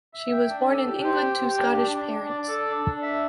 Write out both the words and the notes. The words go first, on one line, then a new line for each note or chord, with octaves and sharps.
She was born in England to Scottish parents.
E5
G5
D4
A4
G4
C5
G5
G4
D4
D4
D4
D4
D5
A4
D4
D4
E5